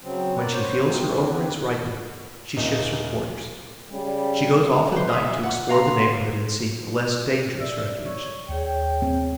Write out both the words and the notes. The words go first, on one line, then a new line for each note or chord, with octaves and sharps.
When she feels her ovaries ripen, she shifts her quarters; she goes off at night to explore the neighbourhood and seek a less dangerous refuge.
C#3 F#3 C4
A#4 B4 D5 F#5
C5 C#5
G#3 C4 D#4 F4 F#4
A3 C4 D4 E4
B3 C4 D4 B4
D#1 D#4
C#3 G3
B4 C5
D#5 E5
F#5
F5 A#5 C6
G4 G#4
D5 E5
C#5
D#2 G#4 C#5 G5
C4